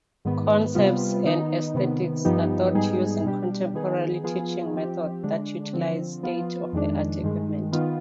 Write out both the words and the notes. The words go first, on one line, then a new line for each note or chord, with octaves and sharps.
Concepts and aesthetics are taught using contemporary teaching methods that utilize state-of-the-art equipment.
G#2 D#3 B3
C3 G3 B3 F4
D#3 B3 D#4
C3 D#3 B3
G2 F3 B3 D#4 G4
G#2 G3 B3 D#4 G#4
B2 G3 D4 G4
D#3 B3 D#4 G#4
F3 B3 F4 G#4
F3 C4 G4
D3 G#3 D4
D3 F3 C4
F3 B3 F4
F2 D#3 G#3 D4
G2 D#3 G#3
D#3 B3 F4